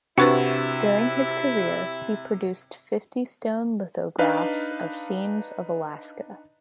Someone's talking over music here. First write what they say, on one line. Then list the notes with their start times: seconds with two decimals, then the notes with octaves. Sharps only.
During his career, he produced fifty stone lithographs of scenes of Alaska.
0.18 C3 D4 E4 F#4 B4 C5
4.18 D4 D#4 B4 F5